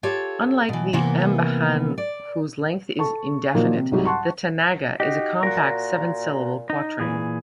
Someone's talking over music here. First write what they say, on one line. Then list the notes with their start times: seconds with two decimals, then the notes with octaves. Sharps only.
Unlike the ambahan whose length is indefinite, the tanaga is a compact seven-syllable quatrain.
0.03 F4 G4 A4 C#5
0.69 B2 E3
0.93 C3 E3 A#3 B3
1.98 D5
2.99 A4 A5 C#6
3.54 A#2 D#3 F3 F#3 A#3 F#4
3.77 C3
3.92 C2 G#2 F#3 G3 G4
4.05 F#5 A5 C6 C#6
5.00 D#4 F#4 G4
5.43 A#2 F#4 A#4
6.70 D#4
7.00 A#2 E3 G#4